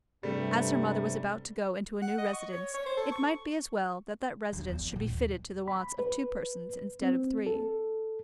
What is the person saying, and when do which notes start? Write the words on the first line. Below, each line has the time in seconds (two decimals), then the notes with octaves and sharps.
As her mother was about to go into a new residence, it might be as well that that residence should be fitted to the wants of two persons instead of three.
0.23 G2 C3 G3 A3
2.02 F#5
2.18 D#5
2.33 C#6
2.51 C#5
2.74 C#5
2.86 C5
2.97 A4
3.12 C#6
4.53 D2
4.68 E2 F#3
4.80 C4
4.92 A#2 D3
5.10 D#2 E3
5.68 B5
5.99 B4
7.02 C4
7.46 A4